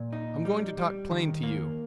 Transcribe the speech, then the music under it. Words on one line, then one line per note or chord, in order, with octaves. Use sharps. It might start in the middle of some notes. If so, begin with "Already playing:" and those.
I'm going to talk plain to you.
Already playing: A#2
D#4
G3
G3
D#3
A#3